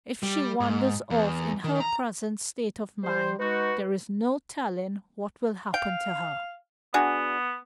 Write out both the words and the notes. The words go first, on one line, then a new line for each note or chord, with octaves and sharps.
"If she wanders off in her present state of mind there is no telling what will happen to her."
G3
G#2
E2
D#3
A#5
G3 C5
G#3 D#4 F#4 B4
F5 G5
B3 D4 F#4 G#4